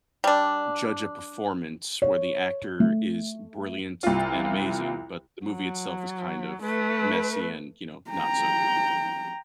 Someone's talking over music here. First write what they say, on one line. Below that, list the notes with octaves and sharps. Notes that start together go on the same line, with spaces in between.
judge a performance where the actor is brilliant and amazing, but the movie itself is kind of messy and, you know, not so good?
G3 D4
C#5
A3
C2 F4
F#3
A3 B4
G5 A#5